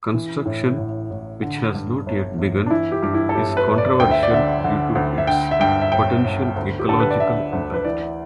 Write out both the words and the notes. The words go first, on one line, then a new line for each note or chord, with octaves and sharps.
Construction, which has not yet begun, is controversial due to its potential ecological impact.
E3
A2
A1
A1
D3
G2
G1
G1
D4
E3 E4
G4
G2 G4
E4
A4
G1 G4
B4
G1
D5
D2 G5
E5
D5
D3 E5
D3
D2
E5
D3 G5
E5
G2 G5
E5
G1 G5
G1
D2
G4
D3 A4
B4
D5
D3 E5
D2
B4
E3 D5